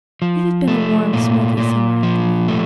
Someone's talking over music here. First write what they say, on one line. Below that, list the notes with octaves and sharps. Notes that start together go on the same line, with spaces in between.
It had been a warm, smoky summer afternoon.
F3
A3
A#2
A#2
F3
A3